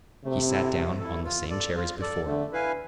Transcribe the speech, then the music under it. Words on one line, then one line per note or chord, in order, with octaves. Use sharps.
He sat down on the same chair as before.
C3 A3
E4 A4
A3
E4 A4
F4
A4 D5
F4
A4 D5
D3 A3
E4 B4 F5 G#5